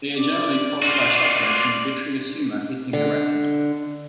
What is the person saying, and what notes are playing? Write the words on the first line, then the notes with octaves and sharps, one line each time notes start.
They are generally caused by shock waves in the vitreous humor hitting the retina.
D5
F4 F#4
D3